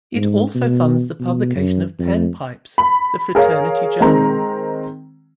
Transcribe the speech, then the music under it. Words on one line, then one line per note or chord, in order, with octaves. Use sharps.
It also funds the publication of Pan Pipes, the fraternity journal.
G#2
B2
B2
F#2
F2
B5
G#4 A#4 C#5 F5
D#3 G#3 C4 A#5